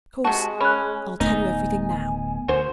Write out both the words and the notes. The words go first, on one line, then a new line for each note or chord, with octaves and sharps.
Of course I'll tell you everything now.
C3 G#3 F#4 A5
C#4 B5 F#6
D1 A3 B3 D#4 G#5
D2 F#4 C5